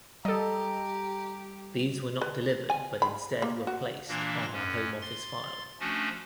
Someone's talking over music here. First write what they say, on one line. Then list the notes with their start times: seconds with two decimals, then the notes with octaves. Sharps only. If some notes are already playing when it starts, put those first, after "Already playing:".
These were not delivered but instead were placed on her Home Office file.
0.25 G3 G4 A4 D#5 A#5
2.22 B4
2.70 G#5
3.02 B5
3.42 A#3
3.67 F#4
4.08 A#2 E3 A#3 D4 A#6
4.53 F#2 C#4
5.02 C6 A6
5.80 F3 A3 C#4 D4 F#4